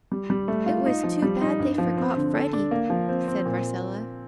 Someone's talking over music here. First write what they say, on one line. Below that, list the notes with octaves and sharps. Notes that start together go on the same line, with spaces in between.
"It was too bad they forgot Freddy," said Marcella.
G3
G3
A3
F4
D#4
F3
G3
D#4
G2
F3
C4
D3
A4
D4
A#3
F3
C4
C4
A#2